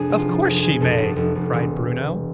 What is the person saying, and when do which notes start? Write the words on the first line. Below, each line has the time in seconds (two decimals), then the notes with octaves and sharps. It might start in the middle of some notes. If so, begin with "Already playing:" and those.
"Of course she may!" cried Bruno.
Already playing: F2 C3 D4 G#4
0.10 F1
0.18 F4
0.28 F3
0.45 F1 G#4
0.62 F1 G#4
0.81 F2 A4
0.98 F1
1.16 F1
1.35 F1
1.53 E1